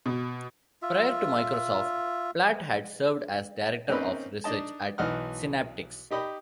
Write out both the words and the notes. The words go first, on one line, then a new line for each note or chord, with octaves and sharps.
Prior to Microsoft, Platt had served as Director of Research at Synaptics.
B2
F4 E5
A#3 C4 C#4 D#4 B4
D4 D#4 D#5 A5
B1 E3 D#4 D#5 F#5 F6
D#4 G4 D#5 B5